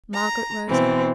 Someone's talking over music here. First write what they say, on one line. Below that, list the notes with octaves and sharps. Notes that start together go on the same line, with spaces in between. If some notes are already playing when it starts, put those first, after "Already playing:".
Margaret rose up.
A#5
B2 E3 C4